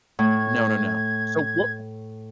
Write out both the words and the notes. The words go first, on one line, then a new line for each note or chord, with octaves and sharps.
No, no, no. So, wha
A2 G#6